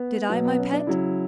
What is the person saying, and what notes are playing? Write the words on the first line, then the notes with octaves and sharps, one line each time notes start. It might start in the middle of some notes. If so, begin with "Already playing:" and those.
"Did I, my pet?"
Already playing: B3
B2 F#3
B3
C#4
D4
C#3 F#3 E4